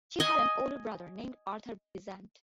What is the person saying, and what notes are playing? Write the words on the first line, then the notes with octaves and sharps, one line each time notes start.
She had an older brother named Arthur Besant.
D#5 G#5